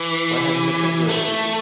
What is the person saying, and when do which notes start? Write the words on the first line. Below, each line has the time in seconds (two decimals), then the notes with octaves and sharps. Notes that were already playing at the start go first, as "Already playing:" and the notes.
When have you matriculated?
Already playing: E3
1.09 A3